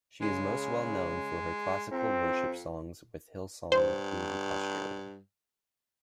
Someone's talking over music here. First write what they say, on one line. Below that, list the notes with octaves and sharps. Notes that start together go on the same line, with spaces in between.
She is most well known for her classical worship songs with Hillsong Music Australia.
C#3 G#3
F2 C4
G2 C5